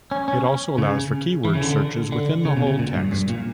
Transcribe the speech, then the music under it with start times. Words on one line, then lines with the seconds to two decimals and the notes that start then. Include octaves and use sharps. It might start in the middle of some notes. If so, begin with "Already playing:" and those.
It also allows for keyword searches within the whole text.
0.11 C#4
0.28 C#4
0.78 C#3
1.45 E3
1.55 C#3
1.62 D3
2.12 D3
2.45 C#3
2.57 B2
2.67 C#3
2.79 A#2
2.96 G2
3.12 G2
3.29 A#2